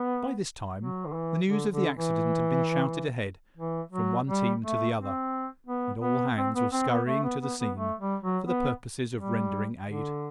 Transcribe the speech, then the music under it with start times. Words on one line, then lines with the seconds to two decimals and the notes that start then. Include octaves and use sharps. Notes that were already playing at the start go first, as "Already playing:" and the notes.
By this time the news of the accident had been shouted ahead from one team to the other, and all hands were hurrying to the scene for the purpose of rendering aid.
Already playing: B3
0.79 F#3
1.06 D3
1.13 E3
1.48 D3
1.72 D3
1.95 E3
3.57 E3
3.92 F#3
4.28 G3
4.62 A3
4.97 C4
5.66 B3
6.01 B3
6.37 C4
6.55 B3
6.72 C4
6.89 B3
7.06 A3
7.24 B3
7.42 B3
7.59 B3
7.77 A3
8.00 G3
8.22 F#3
8.47 B3
9.16 G3
9.85 D3